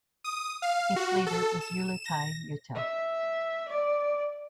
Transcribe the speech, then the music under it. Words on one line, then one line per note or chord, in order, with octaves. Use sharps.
Its leader is Uliti Uata.
D#6
F5
F#4
A4
E7
A#6
E5
D5